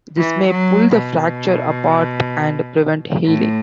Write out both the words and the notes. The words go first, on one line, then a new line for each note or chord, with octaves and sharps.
These may pull the fracture apart and prevent healing.
E3
F#3
B2
A2